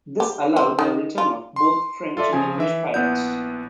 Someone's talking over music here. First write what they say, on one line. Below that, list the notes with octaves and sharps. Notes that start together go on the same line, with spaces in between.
This allowed the return of both French and English pirates.
G4
C4
D#3
F4
C6
F4 A4 D5 E5
C#3 F3 G#5
E3 E5
A#1 B3 E4 F#5 G6